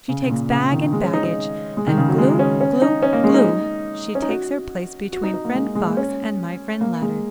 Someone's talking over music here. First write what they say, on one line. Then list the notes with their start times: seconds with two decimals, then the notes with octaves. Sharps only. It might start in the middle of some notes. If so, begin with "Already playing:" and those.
She takes bag and baggage, and glou, glou, glou, she takes her place between friend Fox and my friend Ladder.
0.09 C#3
0.23 C#3
0.30 A#2
0.50 C#3
0.72 D#3
0.93 G#3
1.03 C#4
1.14 D#4
1.24 D#4
1.77 G#3
1.87 D#3
1.97 C#3
2.09 F#3
2.18 G#3
2.39 C#4
2.61 C#4
2.82 D#4
3.03 C#4
3.13 A#3
3.24 G#3
3.34 D#4
4.15 C#4
4.22 D#4
4.29 F#4
5.13 F#4
5.24 D#4
5.34 D#4
5.45 A#3
5.55 G#3
5.75 G#3
5.86 A#3
5.97 C#4
6.81 A#3
7.02 G#3